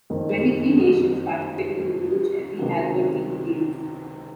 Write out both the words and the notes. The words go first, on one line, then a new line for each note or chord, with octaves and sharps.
Twenty-three nations participated in Luge at the Albertville Games.
F#1 F2 D#3
C#2 C3 D#3 F#3